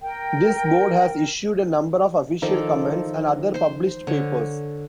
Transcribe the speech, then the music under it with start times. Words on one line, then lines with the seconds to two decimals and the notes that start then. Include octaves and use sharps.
This board has issued a number of official comments and other published papers.
0.02 A#4 G5
2.42 D#3 F3 A4 D5
3.54 C5 C6
4.07 D3 C#5